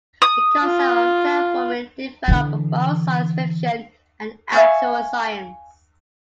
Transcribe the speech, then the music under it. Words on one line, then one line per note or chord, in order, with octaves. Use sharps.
The concept of terraforming developed from both science fiction and actual science.
D#6
F4
D3 E3
E5 F5 G#5 C#6